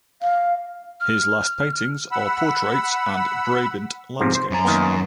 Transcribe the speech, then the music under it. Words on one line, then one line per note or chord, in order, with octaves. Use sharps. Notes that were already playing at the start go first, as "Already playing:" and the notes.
His last paintings are portraits and Brabant landscapes.
F5
F6
F#5 B5 E6
G#2 C3 F3
C5
F#2 A#5
D#3 A#3 B3